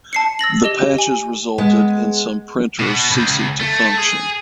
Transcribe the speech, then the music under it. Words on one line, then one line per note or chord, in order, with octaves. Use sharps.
The patches resulted in some printers ceasing to function.
A5 C7 C#7
E6 A6 A#6 F#7
G4 D#5 G7
G#5
G#3 B3
B2
C#2
A3
G#4